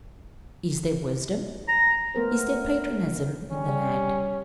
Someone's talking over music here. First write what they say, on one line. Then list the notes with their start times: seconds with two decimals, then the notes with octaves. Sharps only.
Is there wisdom, is there patriotism in the land?
1.69 A#5
2.15 A3 B3 A#4 C5
3.52 G3 C#4